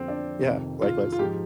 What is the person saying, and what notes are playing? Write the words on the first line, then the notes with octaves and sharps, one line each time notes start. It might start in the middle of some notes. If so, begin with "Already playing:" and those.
Yeah, likewise.
Already playing: F2 D3 F3 C4
D4
F2 C3 D#3
F4
F4
G#2 F3 G4